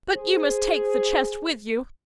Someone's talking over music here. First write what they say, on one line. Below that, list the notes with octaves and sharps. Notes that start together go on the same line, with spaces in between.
'But you must take the chest with you.
G#4 C5